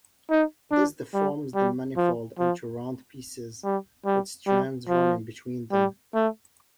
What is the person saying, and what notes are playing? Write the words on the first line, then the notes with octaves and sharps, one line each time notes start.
This deforms the manifold into round pieces with strands running between them.
D#4
D4
G3
G3
F3
F3
G3
G3
G3
F3
G3
A3